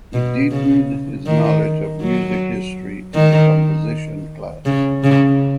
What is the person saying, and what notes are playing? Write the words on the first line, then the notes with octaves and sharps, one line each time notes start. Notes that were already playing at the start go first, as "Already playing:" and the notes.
He deepened his knowledge of music history in the composition class.
B2
C#3
D#3
F#3
D#3
C#3
C#3